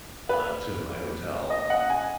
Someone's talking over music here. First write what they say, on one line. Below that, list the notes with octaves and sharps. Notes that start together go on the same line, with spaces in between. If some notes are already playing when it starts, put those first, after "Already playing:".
uh, to my hotel,
B4
D#5
F#5
G#5